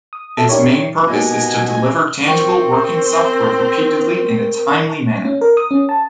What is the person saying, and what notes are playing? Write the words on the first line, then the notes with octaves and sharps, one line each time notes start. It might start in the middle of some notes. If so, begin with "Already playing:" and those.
Its main purpose is to deliver tangible, working software repeatedly in a timely manner.
D#6
A4 E5
D4 E4 G4 A#4 C#5
B2 A#3 D#4 G4 D#5 G#5
C4 A#4 C5 G5 C#6
C#4
A#4
D#6
C#4
A5